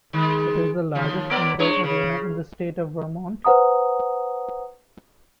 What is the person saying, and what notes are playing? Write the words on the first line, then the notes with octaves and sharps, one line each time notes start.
It is the largest indoor arena in the state of Vermont.
D#3 G#3
D#2 F3
B3 A#4 D5
G#3 D4 C#5
C#3
B4 C5 F#5 A#5 D#6